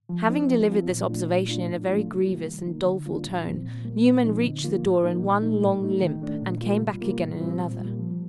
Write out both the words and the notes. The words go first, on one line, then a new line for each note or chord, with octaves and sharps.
Having delivered this observation in a very grievous and doleful tone, Newman reached the door in one long limp, and came back again in another.
F3
C4 D#4
F3
C4 F4
A#2
A3 D4 F4
A#2
A3 D4 F4
A2
F3 A3 D4 F4
C3
G3 A#3 F4
D#3
A#3 D#4
D3
G3 A#3 D4 F4
A#2
F3 C4
A#2
G3 A#3
A#2
F3 C4 D#4
D3
F3 A#3 F4
A2
F3 A#3 D#4
A#2
A3 D#4
A2
A3 D#4
D#3
A3 D4
A#2
G3 A#3 F4
C3
G3 A#3 F4
A2
G3 C4 F4
A#2
G3 A#3
F3